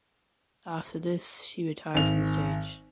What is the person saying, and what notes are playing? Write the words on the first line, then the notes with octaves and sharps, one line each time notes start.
After this she retired from the stage.
G#1 F7